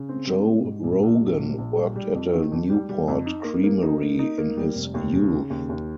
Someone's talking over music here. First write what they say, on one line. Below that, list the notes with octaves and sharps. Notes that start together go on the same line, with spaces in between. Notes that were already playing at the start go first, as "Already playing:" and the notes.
Joe Rogan worked at a Newport Creamery in his youth.
Already playing: C#3
C4
G3
G3
G#2
A#1
A#1
G3
A#1
A#1
G3
G3
F2
D#3
F2
G3
G3
F2
D#4
A#3
A#3
D#4
A#3
D#4
A#3
G3
F1
D#2
C#3
C#3
D#2
D#2